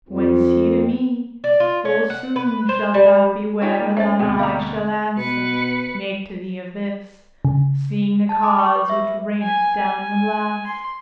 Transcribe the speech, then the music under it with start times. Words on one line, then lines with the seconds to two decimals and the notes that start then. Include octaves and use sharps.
Whence he to me: "Full soon shalt thou be where Thine eye shall answer make to thee of this, Seeing the cause which raineth down the blast."
0.09 F2
1.44 D5
1.60 F4
1.85 C#4
2.10 F#5
2.36 B4
2.69 C5
2.94 G3
3.62 G3 D#4 F4 C#5 G5 G#5
3.79 A#3 D#4
3.97 A3 C#4 C5 E5 A6
4.19 D2 B2 C4 G#4 G5
4.39 D#5 F5 A#5
5.18 B2 B4 C#7
7.45 C#3
8.29 A5
8.44 D6
8.59 C#6
8.76 B4
8.90 E5
9.42 G#5
9.78 G#5
10.66 C6